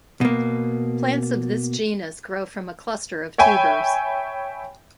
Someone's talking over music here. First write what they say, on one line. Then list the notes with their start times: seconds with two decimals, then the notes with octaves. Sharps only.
Plants of this genus grow from a cluster of tubers.
0.21 B2 A#3
3.38 C#5 E5 G5 G#5 B5